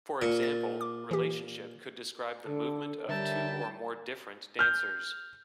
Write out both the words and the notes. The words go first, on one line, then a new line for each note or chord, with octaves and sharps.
For example, relationship could describe the movement of two or more different dancers.
A#2 C#7
A6
D6
E3 G4
D3 A4
D3 G3 A#4 C#5 E5 G5 A5
F6 G6